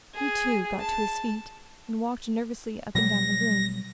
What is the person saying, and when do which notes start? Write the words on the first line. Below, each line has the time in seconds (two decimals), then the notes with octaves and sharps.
He, too, got to his feet and walked nervously up and down the room.
0.14 G#4
0.80 A5
2.95 B2 F#3 G3 A#6